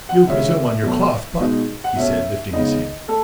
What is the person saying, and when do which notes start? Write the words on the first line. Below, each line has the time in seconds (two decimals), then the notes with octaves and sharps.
"You presume on your cloth, but--" he said, lifting his hand.
0.09 F#5
0.27 C#3 G#3 C#4 E5
0.83 B2 F#3 A3
1.40 B2 G#3 D#4
1.84 F#5
1.96 B2 A3 C#4 E5
2.53 C#3 G#3 B3 D#4 D#5
3.08 A3 A4